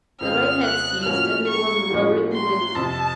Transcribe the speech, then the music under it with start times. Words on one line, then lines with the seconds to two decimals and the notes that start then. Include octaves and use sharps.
The rain had ceased and there was a roaring wind.
0.21 F2 C#3 F3 C4 F4 F6
0.63 F#6
1.05 A2 F3 A#3 C#4 F#4 F6
1.48 C#6
1.90 A2 F3 A#3 C#4 F#4
2.33 C6
2.75 F2 C3 F3 A5